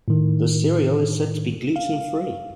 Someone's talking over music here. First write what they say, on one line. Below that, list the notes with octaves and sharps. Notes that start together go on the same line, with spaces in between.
The cereal is said to be gluten free.
A2 D#3
F5